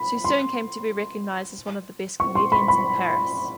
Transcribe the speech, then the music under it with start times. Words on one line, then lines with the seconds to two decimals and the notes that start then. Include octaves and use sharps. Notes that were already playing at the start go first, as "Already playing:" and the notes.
She soon came to be recognized as one of the best comedians in Paris.
Already playing: B5
0.25 C6
2.20 C#6
2.35 C6
2.52 B5
2.68 B5